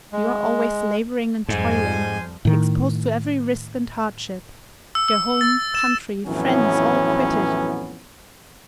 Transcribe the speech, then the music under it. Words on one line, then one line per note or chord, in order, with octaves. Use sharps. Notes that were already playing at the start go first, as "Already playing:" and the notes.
You are always labouring and toiling, exposed to every risk and hardship. Your home, country, friends, all quitted.
G#3
F2 G#2 F3 G3 C5 G#5
A2 D#3
E6
E6
A6
E7
F2 A2 E3 F#3 B3 C#4